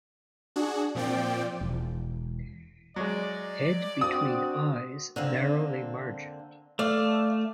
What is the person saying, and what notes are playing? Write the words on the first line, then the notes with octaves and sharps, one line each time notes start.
Head between eyes narrowly margined.
D4 F#4 G#4
A#2 F3 C4 D5 G5
E1
F#3 G#3 D5
C4 D4 F#4 D#6
D3 A#3 C4
A3 D5 F5